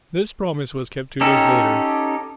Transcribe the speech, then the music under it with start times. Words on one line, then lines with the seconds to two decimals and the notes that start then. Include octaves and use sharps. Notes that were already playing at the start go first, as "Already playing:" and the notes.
This promise was kept two days later.
1.21 C#4 D#4 G4 A4